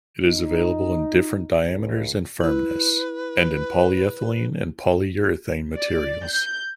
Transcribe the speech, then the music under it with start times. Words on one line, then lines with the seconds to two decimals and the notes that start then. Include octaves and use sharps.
It is available in different diameters and firmness, and in polyethylene and polyurethane materials.
0.25 D#4
1.68 C#2
2.41 E4 B4
5.76 D5
6.26 G6